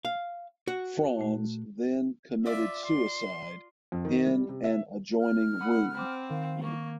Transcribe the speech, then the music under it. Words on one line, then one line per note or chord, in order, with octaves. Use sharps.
Franz then committed suicide in an adjoining room.
F5
F#4
A#2 A3
F4 D5 E5
C6
F2
D#3
G3
C3
E5
F6
F#5 B5 D#6 F#6
C4 B5 D6
D#3 F5
A#3 C#6